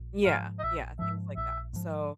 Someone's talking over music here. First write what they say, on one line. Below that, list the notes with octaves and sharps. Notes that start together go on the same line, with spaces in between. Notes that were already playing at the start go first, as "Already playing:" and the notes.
yeah, yeah, things like that, so,
Already playing: A#1
G#2 F3 F5
D#5
A#1 E5
G#2 F3 E5
A#1 E5
G#2 F3